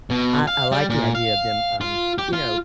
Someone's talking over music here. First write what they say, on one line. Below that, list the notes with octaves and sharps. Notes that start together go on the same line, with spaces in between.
I I like the idea of them, um, you know,
B2
F5
G3
A#2
F5
F4
G4
F4